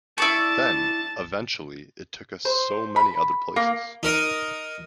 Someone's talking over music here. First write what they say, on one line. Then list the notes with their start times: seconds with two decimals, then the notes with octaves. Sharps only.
Then, eventually, it took us so many other places.
0.18 E4 D5 A5 C#6
2.45 C5
2.96 B5
3.56 A#3
4.03 D#4 A#4 D#5